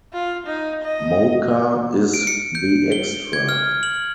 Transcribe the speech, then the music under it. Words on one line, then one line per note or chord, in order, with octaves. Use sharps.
Moka is the extra.
F4
D#4
D#5
D7
C#7
G6
G7
G#6
F6
F#7